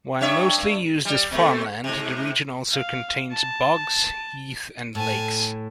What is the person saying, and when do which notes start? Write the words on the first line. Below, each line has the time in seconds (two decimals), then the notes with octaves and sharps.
While mostly used as farmland, the region also contains bogs, heath and lakes.
0.21 G2 C#5 E5
1.05 G3
1.31 B2 A3
1.84 G#2 C3
2.72 F5
3.32 A5
4.95 A2 G#5 A5